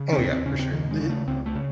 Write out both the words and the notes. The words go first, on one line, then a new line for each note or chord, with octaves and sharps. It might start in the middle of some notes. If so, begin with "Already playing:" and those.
Oh, yeah, for sure. The
Already playing: C#3
C#4
D#2 C4
C4
C#3 C#4
C4
D#2 D#3
G#3
C#3
A3
C#2 C4
A3
C#3